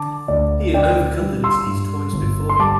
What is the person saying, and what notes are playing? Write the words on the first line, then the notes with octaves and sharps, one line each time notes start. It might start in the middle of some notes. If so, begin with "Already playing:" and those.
He had overcome the disease twice before.
Already playing: D3 A5 D6
D2 D5
D3 D5 G5
G3
C6 E6
G2
G1
C6
G3 A5 D6